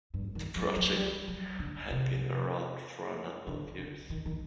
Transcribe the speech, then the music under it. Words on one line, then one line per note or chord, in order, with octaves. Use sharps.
The project had been around for a number of years.
G2
D#3
F#3
F#3
F#3
G3
F#3
D3
C3
D3
D3
D#3
D#3